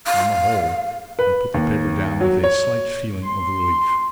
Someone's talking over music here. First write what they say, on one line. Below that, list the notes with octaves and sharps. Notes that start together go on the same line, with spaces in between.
On the whole, I put the paper down with a slight feeling of relief.
F5
B4
D#2
F#3
C#5
C6